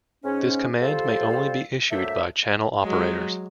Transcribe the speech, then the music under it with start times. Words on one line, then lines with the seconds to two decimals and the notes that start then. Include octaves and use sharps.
This command may only be issued by channel operators.
0.24 G#2 C#4
0.81 G3 F4 A4 C5
1.92 F#3 A3 A#3 D4 C5 E5
2.82 F#3 G#3